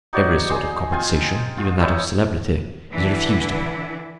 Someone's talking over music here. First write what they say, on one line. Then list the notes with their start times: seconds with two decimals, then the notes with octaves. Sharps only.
Every sort of compensation, even that of celebrity, is refused to him.
0.13 D#4 F#4 C#5 D5
0.50 D#4 G#4 C5
0.92 C4 F4 F5 G#5
1.58 F4
1.81 D#4 E4 C#5
2.91 D3 E3 D4 E4 B4